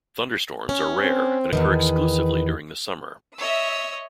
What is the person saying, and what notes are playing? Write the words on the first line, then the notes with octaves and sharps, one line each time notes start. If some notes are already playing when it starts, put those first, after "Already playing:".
Thunderstorms are rare and occur exclusively during the summer.
C#4
C4
E2 G2 D#3 B4
C#5 D#5 E5 E6